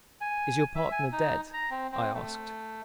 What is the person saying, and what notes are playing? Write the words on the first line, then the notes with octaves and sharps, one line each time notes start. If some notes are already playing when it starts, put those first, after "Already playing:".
"Is your partner dead?" I asked.
G#5
E5
G#5
D#4
A#5
C4
C4
A3